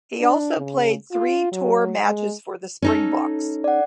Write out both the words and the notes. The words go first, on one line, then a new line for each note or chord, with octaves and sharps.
He also played three tour matches for the Springboks.
D4
C#3
F4
F#3
G#3
C#4 D#4 A4
D5 F#5